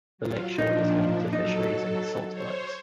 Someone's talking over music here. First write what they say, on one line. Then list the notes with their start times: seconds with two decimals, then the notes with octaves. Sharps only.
The lake shore is home to fisheries and saltworks.
0.18 F#3 F4
0.58 A#2 F3 D4 D#4
1.33 F#3 D#4 A4
2.30 C5 C#5